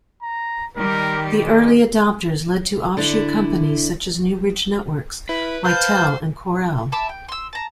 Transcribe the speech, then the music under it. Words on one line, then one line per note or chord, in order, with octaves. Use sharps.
The early adopters led to offshoot companies such as Newbridge Networks, Mitel and Corel.
A#5
D#3 G3 G4 A#4
G#3
D3 D4 E4
E4 B4
B4 C5 F5 A5 G6
E5 A5 B5 D6
G5
C6 E6
A5 A#5